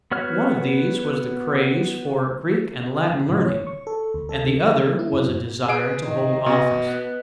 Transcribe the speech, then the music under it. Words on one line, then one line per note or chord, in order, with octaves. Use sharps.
One of these was the craze for Greek and Latin learning, and the other was a desire to hold office.
B3 F#4 C#5 F6
C#3
A2
C#5
C#6
A4
D2
A4
D3
G#3
A#3
E4
F#2
B3 G#4 D7
D#3
B2 D#5
B3